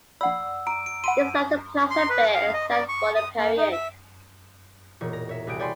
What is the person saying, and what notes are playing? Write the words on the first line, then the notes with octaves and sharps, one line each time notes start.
This left the Plaza bare except for the Parian.
A#1 D5 F#5 B5 E6
A#5 D7
D7
F#5 B5 C6 D#7
C6
B4
F5
D#5
D5
C#6
D#6
A#3
D#4
E5
E1 A#2 C#5
A#5
C#5 E5
C2 F#4 G#4 G5 D7
C#5 D5 G5 G#5 B5 C6